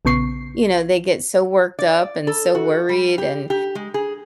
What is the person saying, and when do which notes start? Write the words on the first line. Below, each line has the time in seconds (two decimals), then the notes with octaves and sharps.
you know, they get so worked up and so worried and,
0.05 A#1 C#3 B3 C#6 C7
1.79 D5
2.27 A4
2.55 F#4
2.89 G3
3.18 G4
3.50 G4
3.75 G#3
3.94 G#4